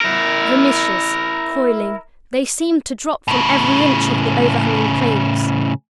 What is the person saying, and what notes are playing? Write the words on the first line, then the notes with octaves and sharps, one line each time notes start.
Vermiceous, coiling, they seemed to drop from every inch of the overhanging planes.
E4 A#4
A2 C#3